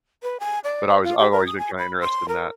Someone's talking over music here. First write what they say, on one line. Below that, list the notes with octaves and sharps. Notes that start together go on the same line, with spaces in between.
But I was I've always been kinda interested in that.
B4
G#5
D5
C5
F4
G4
A#4
D#6
G#5
B5
C6
A#4